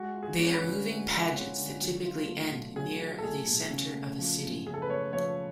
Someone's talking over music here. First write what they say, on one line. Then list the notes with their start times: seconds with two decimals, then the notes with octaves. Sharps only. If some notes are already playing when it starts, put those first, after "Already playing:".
They are moving pageants that typically end near the centre of a city.
Already playing: G#3 F#4
0.14 F4
0.23 G#4
0.38 C#4
0.53 B4
0.62 D3
0.86 G#3
1.09 F4
1.34 C#4
1.57 D3
1.81 F#3
2.05 F4
2.28 A3
2.51 B2
2.76 F#3 G#4
2.99 F4
3.18 A4
3.22 A3 G#4
3.47 B2
3.70 C#3
3.94 A3
4.19 F3
4.42 F#2
4.65 C#3 G#4
4.74 A4
4.82 B4
4.89 A3 C#5
5.13 F3 C#5